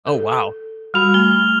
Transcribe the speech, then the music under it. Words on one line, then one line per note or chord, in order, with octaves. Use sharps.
Oh, wow.
A4
G3 F#4 B5 F6 F7
A3 G7